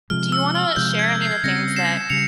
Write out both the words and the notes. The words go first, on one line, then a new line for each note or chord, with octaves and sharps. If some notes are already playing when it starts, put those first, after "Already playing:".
Do you wanna share any of the things that
C3 F3 G#3 F6
E6
F6
C3 F3 G#3 G6
G#6
C7
C#3 G3 C4 A#6 C#7
C7 E7
C#3 G3 C#7 F7